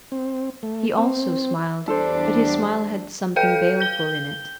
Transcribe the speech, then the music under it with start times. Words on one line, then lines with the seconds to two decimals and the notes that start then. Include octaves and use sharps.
He also smiled, but his smile had something baleful in it.
0.12 C4
0.63 A3
0.98 C4
1.88 E2 G3 D4 A4 C5
3.36 A4 B4 F5 G5 G6
3.80 G6 G7